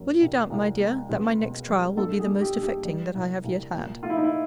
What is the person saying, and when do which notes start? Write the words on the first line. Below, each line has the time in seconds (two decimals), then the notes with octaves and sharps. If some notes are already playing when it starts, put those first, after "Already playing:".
Will you doubt, my dear, that my next trial will be the most affecting that I have yet had?
Already playing: F#2
0.21 C2
0.50 C2
0.80 G#3
1.09 C#2
1.38 B2
1.68 G3
1.97 G2 A4
2.19 G#4
2.26 G2
2.41 G4
2.56 G2
2.63 G4
2.85 G3
3.14 C2
3.44 C2
3.73 A#2
4.03 A3 F4
4.10 E4
4.17 D#4
4.24 E4